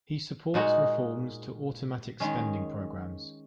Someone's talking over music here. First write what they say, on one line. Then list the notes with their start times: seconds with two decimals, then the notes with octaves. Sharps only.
He supports reforms to automatic spending programs.
0.54 A#2 G#3 D#4 F#4
2.20 D#3 G#3 C#4